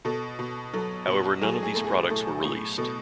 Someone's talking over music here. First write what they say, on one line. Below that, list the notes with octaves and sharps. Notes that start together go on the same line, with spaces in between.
However, none of these products were released.
B2 A4
B2
F#3 A4
B2
F#3 G#4
A4
G#4
A2 A4
G#4
A2 A4
A2
B2 A4